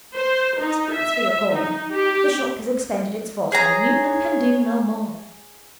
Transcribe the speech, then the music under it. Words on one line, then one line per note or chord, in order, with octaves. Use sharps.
'That accounts for your calm. The shock has expended its force on you, and can do no more.
C5
D#4
E5
D#4
G4
G#4 C#5 A#5